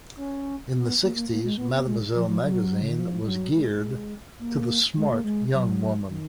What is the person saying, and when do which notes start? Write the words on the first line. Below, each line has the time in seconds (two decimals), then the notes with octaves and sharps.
In the sixties, "Mademoiselle" magazine was geared "to the smart young woman".
0.16 C#4
0.74 B3
1.02 A#3
1.15 A#3
1.30 A#3
1.44 G#3
1.57 B3
1.72 B3
1.86 G#3
2.14 F3
2.28 F3
2.43 F#3
2.82 C#3
2.90 D#3
2.99 F3
3.22 G#3
3.28 F#3
3.55 G#3
4.39 A#3
4.96 G#3
5.10 A#3
5.24 G#3
5.53 F#3
6.08 D#3